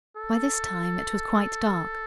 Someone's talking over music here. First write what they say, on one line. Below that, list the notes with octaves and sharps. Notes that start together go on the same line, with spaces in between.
By this time it was quite dark.
A4